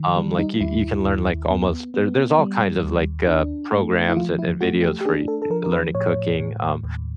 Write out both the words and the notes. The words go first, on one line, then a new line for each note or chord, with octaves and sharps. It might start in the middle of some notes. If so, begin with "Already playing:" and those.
um, like, you you can learn, like, almost there there's all kinds of, like, uh, programs and and videos for y learning cooking, um,
Already playing: D#3
G3
D#4
D#2 E4
D#2
B3
B3
G3
D#2
D4
A3
E4
F3 F4
E4
A3 F#4
G4
G4
D4 G#4
A4
A4
F3 A#4
A#4
B4
A2 C#5
A2
D#2